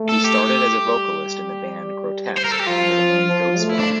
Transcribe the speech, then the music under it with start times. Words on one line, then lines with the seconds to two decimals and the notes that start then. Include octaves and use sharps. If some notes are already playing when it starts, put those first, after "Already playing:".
He started as a vocalist in the band Grotesque under the name Goatspell.
Already playing: A3
0.09 A4
0.24 G4
0.85 G3
2.37 C5
2.45 A#4
2.52 A4
2.60 G4
2.67 F3 F4
3.28 F3
3.58 A3
3.69 E4
3.79 D4